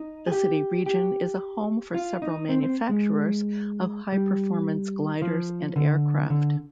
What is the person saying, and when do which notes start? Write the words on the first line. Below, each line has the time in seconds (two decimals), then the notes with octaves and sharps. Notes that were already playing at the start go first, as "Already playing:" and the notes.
The city region is a home for several manufacturers of high-performance gliders and aircraft.
Already playing: D#4
0.27 G#4
0.32 G4
0.86 G4
1.94 F4
2.22 D#4
2.49 C4
2.63 C4
2.89 G#3
4.12 G3
5.22 F3
5.76 D3
6.30 D3